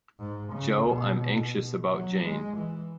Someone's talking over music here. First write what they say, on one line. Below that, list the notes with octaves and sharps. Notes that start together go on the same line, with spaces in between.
Jo, I'm anxious about Jane.
G#2
C#3
B2
F#3
G#3
E3